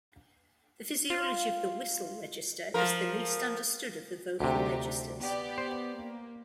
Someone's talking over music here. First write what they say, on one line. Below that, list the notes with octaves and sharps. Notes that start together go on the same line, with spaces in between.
The physiology of the whistle register is the least understood of the vocal registers.
F4
F3 A#4
D2 C3 D4 D#4 G4
B3 G4 D5
C5
A#3